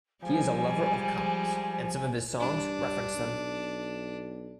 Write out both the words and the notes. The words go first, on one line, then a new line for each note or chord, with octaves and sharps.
He is a lover of comics, and some of his songs reference them.
F3 G3 G#3 G#5
G2 D4
B1